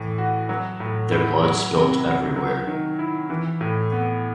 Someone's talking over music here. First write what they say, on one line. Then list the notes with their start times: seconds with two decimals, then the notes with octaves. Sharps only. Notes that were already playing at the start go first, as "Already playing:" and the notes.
Their blood spilt everywhere.
Already playing: A2 E3
0.18 F#4
0.49 F#3
0.80 A2
1.12 E4
1.43 F#3
1.74 C3
2.05 F#4
2.36 F#3
2.67 D#3
2.99 E4
3.30 E3
3.61 A2
3.92 B3